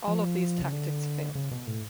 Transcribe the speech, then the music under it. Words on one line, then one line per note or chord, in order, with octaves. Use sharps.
All of these tactics failed.
F3
C#3
D3
C#3
B2
A2